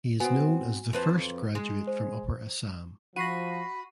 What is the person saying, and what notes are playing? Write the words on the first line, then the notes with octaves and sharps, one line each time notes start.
He is known as the first graduate from upper Assam.
B3 C4 F#4 G#5
F2 B4 C5
G#3
C5
F3 F#4 B5 A#6 C7 D#7